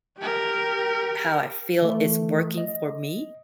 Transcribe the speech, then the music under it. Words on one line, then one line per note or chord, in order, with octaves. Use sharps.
how I feel it's working for me
G4 A#4
E3 A3
D#5